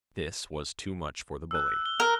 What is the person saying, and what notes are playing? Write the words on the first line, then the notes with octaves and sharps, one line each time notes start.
This was too much for the bully.
E6 F#6
G7
A#4